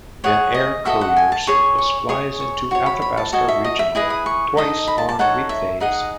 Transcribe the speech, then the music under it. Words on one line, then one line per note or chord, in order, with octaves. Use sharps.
An air courier service flies into Athabasca Regional twice on weekdays.
G#4 C#5 F#5
D#5
F#4 A4 D#5 E5
F#5
G#5
A5
G#4 C#5 C#6
C#6
G#4 C#5 C#6
C#6
F#4 C#5 C#6
B5
B5
A5
F#4 A4 D#5 G#5
E5
D#5
E5
E4 G#4 B4 D#5
D#6
C#6
D#4 A4 D#5
B5
A5
A5
D#4 A4 C#5 F#5
E5
D#4 G#4 D#5 F#5